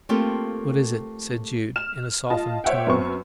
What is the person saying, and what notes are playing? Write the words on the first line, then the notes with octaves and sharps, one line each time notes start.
"What is it?" said Jude, in a softened tone.
A3 A#3 C4 F4 G4 A4
F6 E7
F4 D#5 A5
C5 C#5 E5 F#5 G5
F#2 B3 C4 C#6